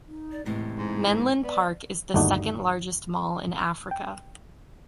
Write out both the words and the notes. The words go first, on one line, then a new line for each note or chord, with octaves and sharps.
Menlyn Park is the second largest mall in Africa.
D#4
D5
E2 A2 C3 G#3 E4
G#2
B3 D5
G1 D#2 A3 D4 D#4 F#4
G5